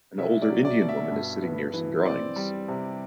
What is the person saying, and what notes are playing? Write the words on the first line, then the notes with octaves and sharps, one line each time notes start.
An older Indian woman is sitting near some drawings.
C2 E5
D5
F#3
D5
B2
E5
G2
B3
E3
C4 D5
G3
C3